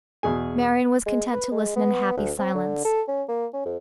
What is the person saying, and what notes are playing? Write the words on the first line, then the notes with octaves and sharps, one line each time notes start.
Marian was content to listen in happy silence.
E2 B2 G#4 G#5
G#3
B4
G#3
B3
D2
C4
D3
A4
C#4
A#3
C#4
F2